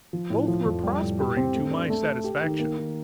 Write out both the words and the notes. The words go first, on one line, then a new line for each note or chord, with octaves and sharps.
Both were prospering to my satisfaction.
F3
A2
F3
F2
G3
A2
G4
C4
A3
D4
A3
A4
G4
D#3
A#3
D#3